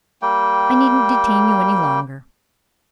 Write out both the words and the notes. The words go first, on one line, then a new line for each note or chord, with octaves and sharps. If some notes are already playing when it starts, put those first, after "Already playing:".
I needn't detain you any longer.
G3 A#3 G5